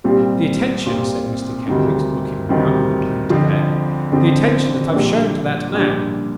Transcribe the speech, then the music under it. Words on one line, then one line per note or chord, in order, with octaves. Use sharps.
'The attention,' said Mr Kenwigs, looking around with a plaintive air, 'the attention that I've shown to that man!
C2 A#2 G3 C4 F4
C2 A#2 G3 C4 F4
D2 C3 D#3 G3 C4
D2 C3 D#3 G3 C4
F2 D3 F3 C4
F2 D3 F3 C4
A#1 A#2 G3 D4
A#1 A#2 G3 D4